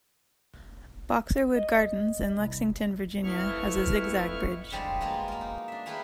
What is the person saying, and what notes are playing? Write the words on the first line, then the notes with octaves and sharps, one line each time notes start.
Boxerwood Gardens in Lexington, Virginia has a zig-zag bridge.
D#5
C2
F2 A3 B3 E4 C#6 F6
D3 F3 G3 G#3 G4 G#4
G#3 A#3 B3 F4 F#4
A#3 A#4
D#4
D4 E5
A3 E4 G#4 A#4 B4 G5